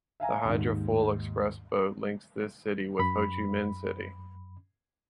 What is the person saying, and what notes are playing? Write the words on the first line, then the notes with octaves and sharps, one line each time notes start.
The hydrofoil express boat links this city with Ho Chi Minh City.
E5 F5 G#5 A#5
D#2 G#2
F#2 B5